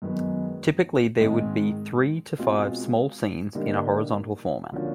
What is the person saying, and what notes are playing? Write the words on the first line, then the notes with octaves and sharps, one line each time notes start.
Typically there would be three to five small scenes, in a horizontal format.
F#2 D#3 G#3 B3
G#2 D#3 G#3 C4
B2 G#3 C4 F4
D3 G3 A#3 D#4
D3 F3 A#3 C#4 F#4